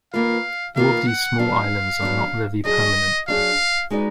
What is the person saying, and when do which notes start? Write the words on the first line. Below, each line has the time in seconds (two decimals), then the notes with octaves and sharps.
All of these small islands are not very permanent.
0.13 D#3 A#3 F4 B4 F5
0.76 D#3 A#3 F4 B4 F5
1.08 F#5
1.39 F#3 B3 D4 F5
2.02 F#3 B3 D4
2.65 F#3 D4 G#4 D#5
3.28 F#3 D4 G#4 F5
3.90 G#3 D#4 F#4 B4 D5